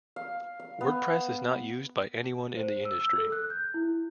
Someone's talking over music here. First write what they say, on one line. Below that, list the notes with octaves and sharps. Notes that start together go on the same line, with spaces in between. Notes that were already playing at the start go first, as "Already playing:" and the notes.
Wordpress is not used by anyone in the industry.
F5
F5
B3
C5
E6
E6
A4
F#6
G6
E4